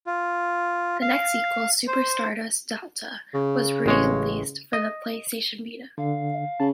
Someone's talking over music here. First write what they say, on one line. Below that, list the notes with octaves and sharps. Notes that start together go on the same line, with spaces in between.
The next sequel, "Super Stardust Delta", was released for the PlayStation Vita.
F4
F5
C5
C#3
A1 G#3 C#5
D#5
D3 F5
C#3 A5